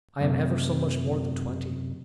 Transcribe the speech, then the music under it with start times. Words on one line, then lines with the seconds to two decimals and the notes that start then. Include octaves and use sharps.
I am ever so much more than twenty.
0.21 F#2 C3